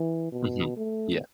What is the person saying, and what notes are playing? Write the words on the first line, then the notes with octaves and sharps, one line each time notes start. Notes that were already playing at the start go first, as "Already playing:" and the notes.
Mhm. Yeah.
Already playing: E3
B2
A3